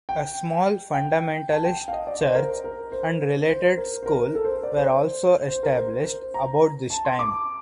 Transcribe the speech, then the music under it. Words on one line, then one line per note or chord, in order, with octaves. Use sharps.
A small fundamentalist church and related school were also established about this time.
G5
G5
A5
G5
F5
D#5
D5
C5
A#4
A#4
C5
C5
A#4
C5
A#4
A4
C5
D5
C5
C5
A#4
C5
C5
A#5
A5
C6
D6